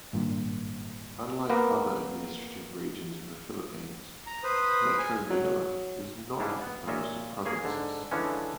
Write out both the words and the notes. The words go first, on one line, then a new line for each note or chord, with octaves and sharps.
Unlike other administrative regions in the Philippines, Metro Manila is not composed of provinces.
G#1 G2 A#2
A#3 B3 A#4 B4
A#5
B4 C5 D#6
G#5
F#3
G#2 G3 C#4 D4 E4 F5
B3
A#2 F4 C#5 D#5 E5
A#3 G#4 C#5
G#2 D3
D3 E3 F3 G#3 C#4 D4